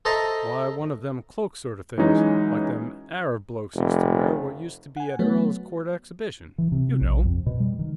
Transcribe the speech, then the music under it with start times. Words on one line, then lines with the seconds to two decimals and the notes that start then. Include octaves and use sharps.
'Why,--one of them cloak sort of things, like them Arab blokes used to wear what used to be at Earl's Court Exhibition,--you know!'
0.05 A4 C5 D#5 E5 A5 A#5
1.98 E3 F#3 G#3 C#4 D#4
3.75 F1
4.97 F#5 G#5
5.19 F#3 A3 B3 F#4 B4 C#5
6.58 E3
6.72 C3
7.01 A#1
7.25 F2
7.46 B2
7.60 G3
7.79 D#3